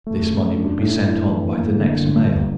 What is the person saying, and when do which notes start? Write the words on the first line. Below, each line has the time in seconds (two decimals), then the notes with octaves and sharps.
This money would be sent on by the next mail.
0.07 A3
0.30 C#3
0.54 D4
0.79 A2
1.03 E4
1.28 E3
1.52 A#3
1.76 D3
2.00 G1
2.25 G2